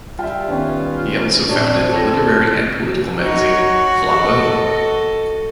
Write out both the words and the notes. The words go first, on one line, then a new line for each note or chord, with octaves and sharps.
He also founded the literary and political magazine "Flambeau".
G3 F4 E5 G5
D#3 B3 C#4
A#2 C4 D4 C#5
A4 G#6 A#6
D#4 F#4 C#5
A4 D#5